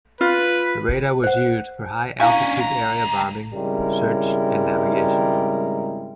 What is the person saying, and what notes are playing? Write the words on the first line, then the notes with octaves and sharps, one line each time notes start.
The radar was used for high altitude area bombing, search and navigation.
F4 B4
C5 F#5
C#4 D4 E4 F5 G#5
C#2 A#5
G#1 C#3 G3 G#3 E4 A#4